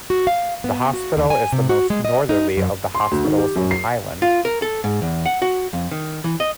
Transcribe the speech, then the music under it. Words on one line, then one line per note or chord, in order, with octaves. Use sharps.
The hospital is the most northerly of the hospitals in Highland.
F#4
F5
B3
F#4
D#2
G#5
C3
F#4
G#3
D#5
D#4
F#2
C6
D2
D#3
G4
F#2
C7
F4
A#4
A4
G#2
E2
F#5
F#4
F2
D#3
E3
D#5